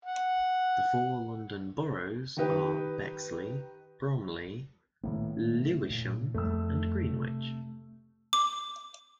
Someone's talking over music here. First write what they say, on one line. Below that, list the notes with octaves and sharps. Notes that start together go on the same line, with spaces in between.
The four London boroughs are Bexley, Bromley, Lewisham and Greenwich.
F#5
D#3 D#4 G4 B4
A2 D#3 A#3 B3
A#2
F2 G3 A3 E6
C3
D6